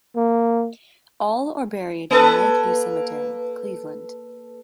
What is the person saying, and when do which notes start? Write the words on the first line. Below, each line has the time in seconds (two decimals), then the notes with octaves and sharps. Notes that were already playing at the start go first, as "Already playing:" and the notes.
All are buried in Lake View Cemetery, Cleveland.
0.16 A#3
2.11 A#3 A4 B4